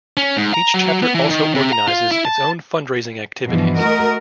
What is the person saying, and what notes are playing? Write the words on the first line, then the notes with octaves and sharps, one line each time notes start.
Each chapter also organizes its own fundraising activities.
C#4
G#2
A#5
F#3
B3
E3
D#3
C3
A#5
F4
E4
A5
G2 B2 E3 F3
A3 F#4 A#4 D#5